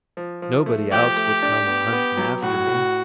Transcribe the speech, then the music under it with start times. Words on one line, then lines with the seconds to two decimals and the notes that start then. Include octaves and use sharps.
Nobody else would come a-hunting after me.
0.17 F3
0.42 F3
0.66 A3
0.92 F3 G4
1.16 A3
1.42 D4
1.67 B3
1.92 B3
2.17 F#3
2.42 A2 F#4
2.67 A2